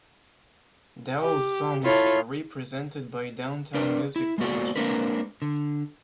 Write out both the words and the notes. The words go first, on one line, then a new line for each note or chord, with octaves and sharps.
Daou's songs are represented by Downtown Music Publishing.
G4
E4 F4 A4 C#5
D4 A#4 B4 D5
E4
G#3 A#3 B3 F#4 D5
G#3 A#3 C4 D4 A#4 B4
D3